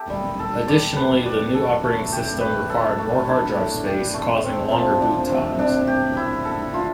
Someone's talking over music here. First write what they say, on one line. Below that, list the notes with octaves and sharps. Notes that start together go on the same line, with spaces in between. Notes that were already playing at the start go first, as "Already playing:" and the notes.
Additionally the new operating system required more hard drive space, causing longer boot times.
Already playing: G4 A4 E5
G3
A4
D5
B4
D5
A4
A3
G4
B4
A4
A3
D4
A2
G4
A3
C4
F3
D4
C3
D4
G4
E4
A4
F4